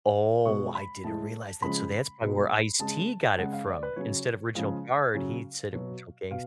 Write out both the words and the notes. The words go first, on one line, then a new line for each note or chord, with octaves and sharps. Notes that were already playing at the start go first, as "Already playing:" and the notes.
Oh, I didn't realize that. So that's probably where Ice-T got it from. Instead of Original Guard, he'd said Original Gangster.
B2 G#3 C#6
B5
A2 G#3 A5
C#3 F3 G#3 B5
B2 G#3
C#3 G#3 A5
C#3 G#3 F#5
F5
D5
B4
C#3 F#3 C#5
C#3 F3 G#3 F5
C#3 F#3
B2 F#3
B2 F5